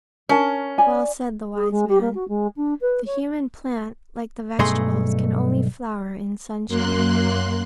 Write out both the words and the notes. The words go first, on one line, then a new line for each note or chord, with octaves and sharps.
Well said the wise man, "The human plant, like the vegetables, can only flower in sunshine."
C#4 A#4 A5
D5 G#5
G#4
G#3
G4
A#3
F#4
G#3
D4
B4
C#5
B1 G2 A3 G#4 D#5 C6
F#2 A#3 C6 F#6